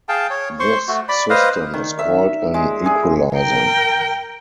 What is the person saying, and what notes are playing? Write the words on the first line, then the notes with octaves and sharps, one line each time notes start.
This system is called an equalizer.
G#4 F5 G5 A5
C#5
C5 C6 C#6
A3 F#4
D5 B5
B4 C5 D#5 F5
D#3
E5
G#3
G#4
A#4 G5